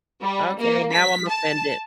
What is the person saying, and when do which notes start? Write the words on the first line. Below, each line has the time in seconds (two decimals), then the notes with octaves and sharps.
Okay, now I'm offended.
0.22 G3
0.59 A#3
0.93 B6
1.29 A5